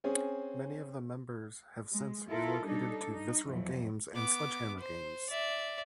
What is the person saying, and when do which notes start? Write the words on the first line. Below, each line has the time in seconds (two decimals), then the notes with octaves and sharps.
Many of the members have since relocated to Visceral Games and Sledgehammer Games.
0.04 C4 C#4 G#4
1.91 G#3
2.27 E4 F4 A4 A#4
2.64 G3 D4 D#4 A4
3.12 D#4
3.48 F2 E3 F#3
4.14 B3 D6
4.78 C5
5.29 D5 E5